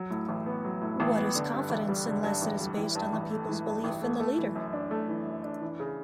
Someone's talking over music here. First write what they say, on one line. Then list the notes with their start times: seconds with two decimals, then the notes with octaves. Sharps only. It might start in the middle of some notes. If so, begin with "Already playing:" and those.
What is confidence unless it is based on the people's belief in the leader?
Already playing: F#3
0.10 A2
0.29 A1
0.46 B3
0.65 F#3
0.81 A2
1.00 A1
1.17 B3
1.35 D3
1.53 G2
1.70 A1
1.89 G3
2.06 D3
2.24 G2
2.42 A1
2.60 G3
2.77 E3
2.95 G2
3.13 A1
3.30 A3
3.49 E3
3.66 G2
3.84 A1
4.01 A3
4.20 A3
4.38 E3
4.55 F#2
4.73 D4
4.91 A3
5.08 E3
5.26 F#2
5.44 D4
5.62 E3
5.80 C#3